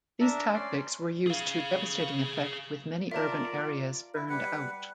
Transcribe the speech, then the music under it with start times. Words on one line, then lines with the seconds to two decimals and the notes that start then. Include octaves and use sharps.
These tactics were used to devastating effect with many urban areas burned out.
0.21 D4 A#4 E5 A5 A#5
0.54 C#4 D5 C6
1.27 G#4 F5
3.11 F4 A#4 D5 E5 A5
4.15 E4
4.30 G3 B4 F#5